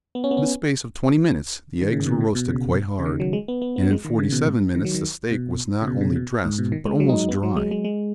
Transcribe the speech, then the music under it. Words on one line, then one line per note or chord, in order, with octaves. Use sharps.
In the space of twenty minutes the eggs were roasted quite hard, and in forty-seven minutes the steak was not only dressed, but almost dry.
B3
C#4
B3
C#4
D#3
C#3
B2
C#3
B2
C#3
C#3
D#3
F#3
G#3
B3
B3
B3
F#3
G#3
D#3
C#3
B2
G#2
D#3
F#3
D#3
B2
C#3
B2
C#3
B2
G#2
B2
D#3
G#3
F#3
D#4
B3
F#3
G#3
G#3
G#3